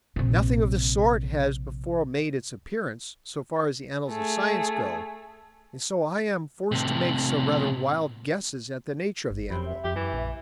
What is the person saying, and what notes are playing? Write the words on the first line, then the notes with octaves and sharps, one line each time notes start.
Nothing of the sort has before made its appearance, so far as the annals of science go, and so I am forced to make some rather wild guesses at the nature of the animal.
A#1 C3
A3 G#4
A2 C3
G1
F2 C3 B5
E5
F2 G4
F#2 E3
A#1